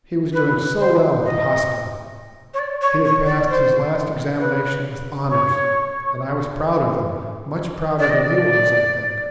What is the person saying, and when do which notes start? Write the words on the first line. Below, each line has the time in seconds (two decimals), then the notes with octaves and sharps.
He was doing so well at the hospital, he had passed his last examination with honours, and I was proud of them, much prouder than he was, I think.
0.33 B4
0.79 C5
1.24 D#5
2.54 C#5
2.59 D5
2.81 C#5
3.05 C#5
3.26 D5
3.49 C5
4.39 B4
5.29 C#5
7.99 D5
8.09 D#5
8.20 D5